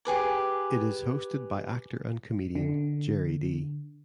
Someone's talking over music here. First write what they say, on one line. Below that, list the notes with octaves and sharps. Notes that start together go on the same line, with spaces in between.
It is hosted by actor and comedian Gerry Dee.
G4 G#4 B4 D6
D3